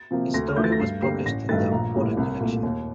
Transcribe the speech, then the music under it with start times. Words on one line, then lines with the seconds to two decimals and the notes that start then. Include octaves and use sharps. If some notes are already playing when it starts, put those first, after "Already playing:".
His story was published in the "Water" collection.
Already playing: A6
0.11 C3 F3 A#3
0.34 D2 A#6
0.48 F6
0.56 D3 F3 A3 G6
0.64 A6
0.72 A#6
0.80 G2 C7
1.02 D3 G3 A#3 C7
1.26 A1 A#6
1.49 G2 D#3 A3 A6
1.72 A#1 A#5
1.94 A2 G3 A#3
2.17 C2
2.40 A#2 A3
2.63 D#2